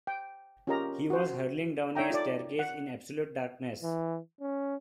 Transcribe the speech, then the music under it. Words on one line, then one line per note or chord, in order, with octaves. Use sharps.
He was hurling down a staircase in absolute darkness.
G5
C#4 F4 G4 A#4 D#5 A#5
F#4 C5
D#4 C#5 E5 G5 A#5
F4 A4 D5
F#5
E3
C#4